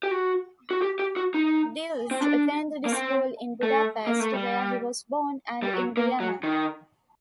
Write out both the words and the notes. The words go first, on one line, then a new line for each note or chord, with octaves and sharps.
Deutsch attended school in Budapest, where he was born, and in Vienna.
G4
F#4
F#4
G4
G4
F#4
D#4
C4
D4
A#3
C4
A3
A#3
A3
G3
G3
F#3
A#3
F#3
D#3